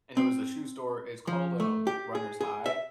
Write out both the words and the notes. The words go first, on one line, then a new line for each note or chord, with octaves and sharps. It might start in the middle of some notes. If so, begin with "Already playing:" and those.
and it was a shoe store, it's called, um, Runner's High,
C4
F3
A3
G4
G#4
G#4
E5